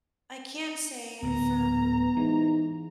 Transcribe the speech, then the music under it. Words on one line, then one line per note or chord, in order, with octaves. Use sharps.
I can say from
D1 D2 A#2 B3 A#5
G#2 E3